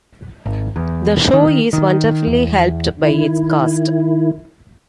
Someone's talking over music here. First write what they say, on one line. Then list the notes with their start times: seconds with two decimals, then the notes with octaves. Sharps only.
The show is wonderfully helped by its cast.
0.46 G#1
0.76 E2
1.33 D#3
1.73 D#3
2.27 E2
3.03 D#3 E4